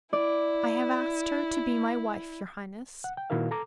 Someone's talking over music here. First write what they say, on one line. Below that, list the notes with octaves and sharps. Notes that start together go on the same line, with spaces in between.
"I have asked her to be my wife, your highness."
E4 D5
F#5
G5
A#2 D#3 E4 F#4 A#4 F5
A4 A#5 D6